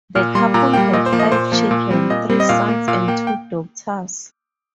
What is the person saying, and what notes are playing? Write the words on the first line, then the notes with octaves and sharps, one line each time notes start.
The couple had five children, three sons and two daughters.
A#2 F6
G3 A#3 C6
A#2 A#5
G3 A#3 G5
A#2 D#5
C5
F3 A#3
D#5
A#2 C5
F3 A#3
A#2
G3 C4
A#2 D#5
G3 C4
D#5
A#2 F5
A#3
A#2 F5
A#3 G5
G5